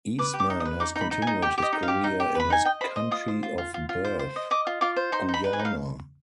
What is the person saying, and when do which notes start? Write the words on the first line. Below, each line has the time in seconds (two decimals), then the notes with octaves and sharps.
Eastman has continued his career in his country of birth, Guyana.
0.19 B4 D6
0.34 G4
0.40 D6
0.50 D#4
0.60 D#6
0.65 B4
0.80 D#4 D6
0.96 D#4
1.01 B5
1.11 D#4
1.22 G#5
1.27 D#4
1.42 G4 G5
1.58 G4 D#5
1.73 D#4
1.83 F5
1.88 G4
2.04 D#4
2.20 G4
2.35 B4 B5
2.50 D#4 G#5
2.65 D#5 G5
2.81 C5 B5
2.96 D#5
3.11 F4 D#6
3.28 C5
3.43 F4
3.58 F4
3.74 F4
3.89 F4
4.05 C5
4.19 C5
4.36 D#5
4.51 D#5 D6
4.67 F4
4.81 F4 D6
4.96 C5
5.12 D#4 C6
5.28 D#4
5.34 B5
5.44 B4
5.53 G#5
5.59 D#4
5.65 F5